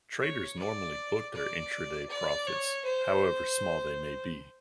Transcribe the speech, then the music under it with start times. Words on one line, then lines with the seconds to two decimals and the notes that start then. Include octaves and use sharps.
Traders normally book their intra-day profits, however small they may be.
0.21 C#5
0.59 D5
1.34 D5
2.09 D5
2.47 C#5
2.84 C5